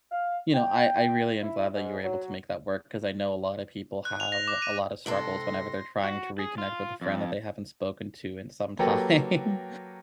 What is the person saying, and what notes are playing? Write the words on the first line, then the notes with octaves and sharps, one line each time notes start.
You know, I I really am glad that you were able to make that work 'cause I know a lot of people have a lot of struggles whenever they're trying to reconnect with a friend that they haven't spoken to in some time.
F5
G5
E4
G#2
F#3
F#6
F7
A#6
D6
D#7
G#2 C3 A4 C6 A#6
F#4
G#4
F4
F2
F#3 A#3 G4 A4 B4